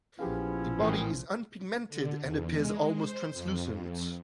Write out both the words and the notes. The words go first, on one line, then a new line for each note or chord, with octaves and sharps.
The body is unpigmented and appears almost translucent.
A#1 F3 B3 C#4 E4 G4 G#4 F5
A2 E3 A#4 G5 D#6
D3
E2
G#3
C5
F2